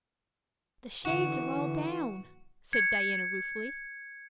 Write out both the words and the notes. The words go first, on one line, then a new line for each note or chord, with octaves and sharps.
"The shades are all down," said Diana ruefully.
D3 E3 F#4
G#6 C#7